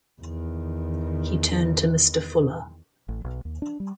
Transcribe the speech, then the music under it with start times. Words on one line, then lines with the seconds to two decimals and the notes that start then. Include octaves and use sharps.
He turned to Mr. Fuller.
0.22 E2 D#3
3.09 A1
3.24 B1
3.45 D#2
3.62 D4
3.80 G3